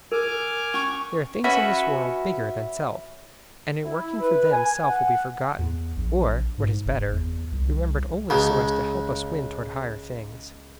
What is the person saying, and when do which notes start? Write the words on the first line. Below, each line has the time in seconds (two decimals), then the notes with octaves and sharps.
There are things in this world bigger than self, and in working for them self will be forgotten, or--what is better--remembered only so as to help us win toward higher things.
0.12 A#4 G#5 D6 F6
0.74 C#4 C#6
1.44 C#4 F#4 B4 E5
3.85 E4
4.21 B4
4.52 G#5
4.87 F#5
5.58 E2
5.97 A#1
6.58 G#2
6.85 F#1
7.12 E2
7.52 C2
8.30 C#2 C#3